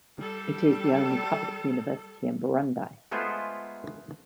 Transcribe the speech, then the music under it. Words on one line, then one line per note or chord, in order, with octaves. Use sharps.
It is the only public university in Burundi.
G3 A4
G#3 A3 B3 F4 G#4 C5